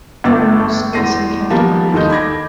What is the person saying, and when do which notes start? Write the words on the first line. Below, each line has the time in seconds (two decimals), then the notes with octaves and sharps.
There are no schools in Captain Creek.
0.24 G1 E6 A6
0.93 E2 C6 A#6 C7 D#7
1.50 D#3 F3 G3 A#3 B3
1.93 D#2 D#3 A4 D#5 G6
2.10 B5 D6 G#6 A#6